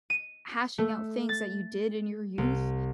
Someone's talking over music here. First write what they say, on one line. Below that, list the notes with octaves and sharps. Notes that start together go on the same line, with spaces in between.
hashing out things that you did in your youth,
D#7
A3
A6
C2